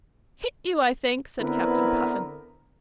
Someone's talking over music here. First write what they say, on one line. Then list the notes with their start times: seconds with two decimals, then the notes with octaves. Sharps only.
"Hit you, I think," said Captain Puffin.
1.39 D3 B3 C4 E4 A#4 B4